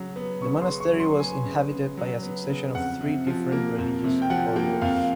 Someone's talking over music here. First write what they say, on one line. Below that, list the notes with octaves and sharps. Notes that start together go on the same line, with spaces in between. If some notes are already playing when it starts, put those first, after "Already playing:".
The monastery was inhabited by a succession of three different religious orders.
Already playing: C#3 F#3
B3
C#3 C#6
C6
C#3
C#6
F#3
C6
B3 G#5
C#3
C#3
F#3
B3
C#3
F2 F#5
C3
F3
A#3
F2
C3
G5
F3 F#5
A#3 G5
F2 F5